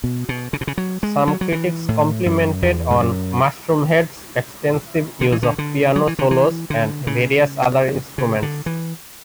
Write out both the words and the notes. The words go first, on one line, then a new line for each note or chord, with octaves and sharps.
Some critics complimented on Mushroomhead's extensive use of piano solos and various other instruments.
B2
B2
C#3
B2
C#3
F#3
G#3
F#3
F#3
E3
A2
F#2
E2
G#2
F#2
D3
E3
D3
D3
F#3
E3
D3
E3
D3
C#3
C#3
D3
E3